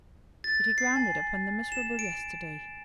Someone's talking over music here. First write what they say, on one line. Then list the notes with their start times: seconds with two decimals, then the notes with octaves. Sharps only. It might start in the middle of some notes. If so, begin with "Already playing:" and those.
Did he ground it upon the miserable yesterday?
0.44 A6
0.78 C7
0.96 G#5
1.72 E7
1.99 D7